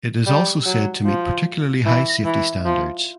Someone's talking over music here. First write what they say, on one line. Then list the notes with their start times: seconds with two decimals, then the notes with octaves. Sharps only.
It is also said to meet particularly high safety standards.
0.26 G3
0.66 F#3
1.05 F3
1.86 E3
2.25 E3
2.65 F3